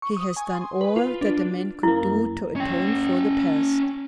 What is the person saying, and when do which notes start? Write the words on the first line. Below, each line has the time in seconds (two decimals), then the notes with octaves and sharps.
He has done all that a man could do to atone for the past.
0.02 C#6
0.17 D#6
0.37 G#5
0.55 C6
0.81 B4
0.96 F4
1.21 D4
1.83 F#2 A#3 E4
2.56 C#4 G5